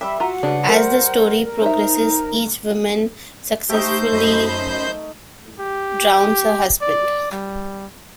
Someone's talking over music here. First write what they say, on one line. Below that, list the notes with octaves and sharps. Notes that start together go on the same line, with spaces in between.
As the story progresses, each woman successively drowns her husband.
G3 G4 E5 B5
F4 F#4 F#5 A#5
C#3 D4 B4
F#3 G3 A3 A#4 C5
D#4 C5 E5 A#5
A3 D#4 G4 C5 G6
F#2 D#5 B5
G4
D5
G3